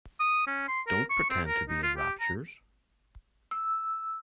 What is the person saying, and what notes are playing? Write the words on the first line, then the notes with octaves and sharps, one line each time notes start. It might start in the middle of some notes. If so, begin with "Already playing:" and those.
Don't pretend to be in raptures.
D#6
C#4
C6
A#4
C#6
C4
A#4
D#4
F4
G4
A#5
E6